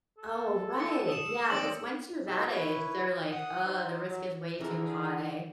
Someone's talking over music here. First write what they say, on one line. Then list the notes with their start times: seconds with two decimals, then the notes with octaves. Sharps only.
Oh, right. Yeah, 'cause once you're that age, they're like, "Uh, the risk is way too high."
0.18 A4
0.80 C#7
1.09 D#6 E7
1.50 D#2 C4 D4 D5 F#7
2.27 B2 D#4 E6
2.49 E4 B4 C#5
3.32 F#5 D#6
3.65 D#4 C5
4.08 F#3
4.61 D3 E3 E4 G#4 A#4